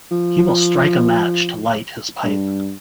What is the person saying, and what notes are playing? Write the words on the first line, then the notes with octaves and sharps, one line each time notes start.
He will strike a match to light his pipe.
F3
G2